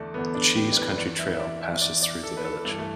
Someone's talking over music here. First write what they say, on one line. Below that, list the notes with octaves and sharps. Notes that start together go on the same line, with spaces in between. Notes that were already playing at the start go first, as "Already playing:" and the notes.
The Cheese Country Trail passes through the village.
Already playing: E2 D3 A3 A4 D5
E2 D3 B3
D4
G4
D5
B4
E2 E3 D5
E5
E5
D5
E5
E2 E3 D5
D5
A4
B4
A4
G2 E3 A4
A3